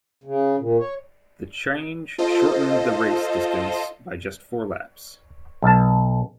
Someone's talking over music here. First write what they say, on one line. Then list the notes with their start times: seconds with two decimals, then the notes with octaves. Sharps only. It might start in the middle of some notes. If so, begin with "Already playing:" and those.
The change shortened the race distance by just four laps.
0.24 C#3
0.58 A#2
0.79 C#5
2.18 F4 A4 C5 D#5
5.62 B1 A5